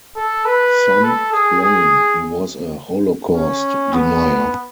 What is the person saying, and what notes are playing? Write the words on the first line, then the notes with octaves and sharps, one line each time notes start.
Some claim he was a Holocaust denier.
A4
B4
A4
G#4
G#4
C#4
B3